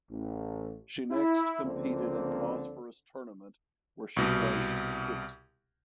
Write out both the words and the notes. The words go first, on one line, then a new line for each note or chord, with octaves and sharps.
She next competed at the Bosphorus Tournament where she placed sixth.
A1
E4
C#2 D3 F3 A#3 C4
C2 B2